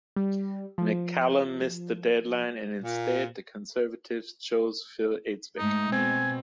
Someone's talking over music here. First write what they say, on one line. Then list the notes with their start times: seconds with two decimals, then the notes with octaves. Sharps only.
McCallum missed the deadline and instead the Conservatives chose Phil Eidsvik.
0.16 G3
0.78 F3
2.83 A#2
5.58 G#2 G#3 A3 D#4
5.92 B2 C4 G#5